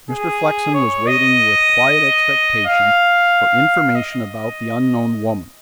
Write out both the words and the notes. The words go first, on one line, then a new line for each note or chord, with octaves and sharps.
Mr. Flexen was waiting with quiet expectation for information about the unknown woman.
G#4
C#5
D#5
F5
D#5